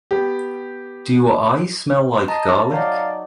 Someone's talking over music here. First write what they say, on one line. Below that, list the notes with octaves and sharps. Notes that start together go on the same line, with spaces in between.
Do I still smell like garlic?
B3 G4
D#5 A5 A#5
F#3 D#4 D5 F5